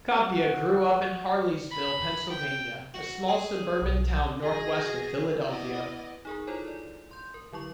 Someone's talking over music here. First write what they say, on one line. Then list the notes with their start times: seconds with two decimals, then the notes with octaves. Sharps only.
Kampia grew up in Harleysville, Pennsylvania, a small suburban town northwest of Philadelphia.
0.18 F#4
1.71 B5
2.30 G5
2.94 F#4
3.28 G#4
3.82 B1
4.42 F#4 G#4 A#6
5.45 B3 E4 D5 D#5
6.25 D#4 G#4 A#4
6.47 E4 F4 A4 C5 C#5 G#5
6.68 D5
7.11 C6 G6
7.34 A#4
7.52 D3 F#3 E4 C#6